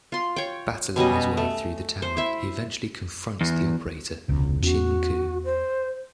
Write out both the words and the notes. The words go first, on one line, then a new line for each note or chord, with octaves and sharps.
Battling his way through the tower he eventually confronts the operator, Chin Ku.
F4 C6
C#5 G5
B2 G3 C#4 D#5
A3
C5
E4 E5
E2
E1 C#2 C3
E2 C#4 F#4
C5